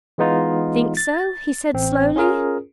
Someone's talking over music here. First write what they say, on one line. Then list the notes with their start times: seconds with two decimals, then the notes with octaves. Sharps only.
"Think so?" he said slowly.
0.18 E3 G#3 B3 D#4 F4
0.97 A6
1.74 A1 C4
2.16 C#4 F4 G#4 A#4